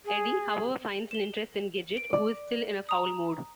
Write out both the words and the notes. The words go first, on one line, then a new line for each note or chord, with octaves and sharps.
Eddie, however, finds an interest in Gidget, who is still in a foul mood.
G#4
E7 G7
D7
D5
A#5 D#6